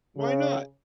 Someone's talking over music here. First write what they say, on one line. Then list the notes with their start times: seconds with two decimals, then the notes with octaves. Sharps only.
why not?
0.16 C#3